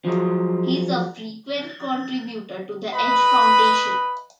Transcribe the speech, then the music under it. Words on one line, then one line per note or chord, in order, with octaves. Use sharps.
He is a frequent contributor to the Edge Foundation.
F3 F#3 G#3
B4 D#5 B5